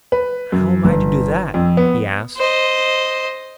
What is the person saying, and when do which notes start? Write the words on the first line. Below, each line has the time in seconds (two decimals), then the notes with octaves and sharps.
'How am I to do that?' he asked.
0.12 B4
0.52 F#2
0.85 G1
1.54 F2
1.77 B3
2.36 C5 D#5